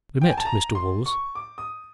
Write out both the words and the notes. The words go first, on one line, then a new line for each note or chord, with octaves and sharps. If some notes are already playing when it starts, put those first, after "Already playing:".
We met Mr. Woolls.
G5
G#5
A5
A#5
C6
C#6
D6
D#6